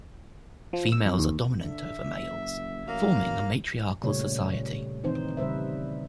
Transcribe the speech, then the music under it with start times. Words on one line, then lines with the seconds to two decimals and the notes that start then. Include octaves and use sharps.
Females are dominant over males, forming a matriarchal society.
0.73 F3
0.92 E6
1.05 F2
1.19 D#2
1.62 D3 E5
2.04 F#1
2.86 A1 F#3 A#3 F5
4.02 A#2 C#3 G3 A3 G4 C#5
5.03 D#3 E3 C4 D#4 C5
5.37 C#3 G3 B4 C5 E5